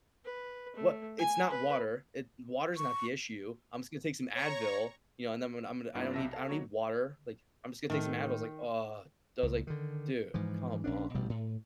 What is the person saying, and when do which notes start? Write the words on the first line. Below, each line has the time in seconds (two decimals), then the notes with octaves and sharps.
"Wha? It's not water. It water is not the issue. I'm just gonna take some Advil." You know? And then "I'm I'm I don't need I don't need water. Like, I'm just gonna take some Advil." I was like, "Uh." that was like, "Dude, come on."
0.25 B4
0.76 A3
1.18 G#5
1.50 B4
2.77 C#6
4.35 C#5 A#5 C#6
5.95 G2 A#3 B3 D4 E4 F4
6.14 B1 C3 E5 A5 A#6
6.33 A4 F5 A5
6.49 F#3 A#3 D#4 F#4 C#5
7.90 A2 D#3 A3
9.43 C#2
9.67 D3 D#3
10.34 G#2 E3 F3
10.84 A#1 C#4 D4
11.14 A1 G2 B2 G3
11.29 A2